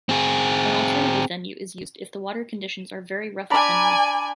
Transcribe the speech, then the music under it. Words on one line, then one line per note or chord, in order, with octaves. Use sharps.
An alternative venue is used if the water conditions are very rough at Henley.
C4 G#4
D4 D5 G#5 A#5 B5